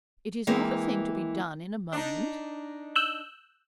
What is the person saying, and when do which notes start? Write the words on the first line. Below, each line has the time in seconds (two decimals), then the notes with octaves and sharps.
'It is not a thing to be done in a moment.'
0.47 E3 G#3 A#3 C4
1.93 D4 D#4
2.95 E6 F#6 G6